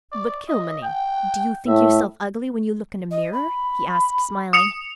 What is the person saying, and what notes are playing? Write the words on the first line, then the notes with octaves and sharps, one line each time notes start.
"But, Kilmeny, do you think yourself ugly when you look in a mirror?" he asked smiling.
D5
D#5
G5
A2 E5
D#5
B5
D#6 C#7 F7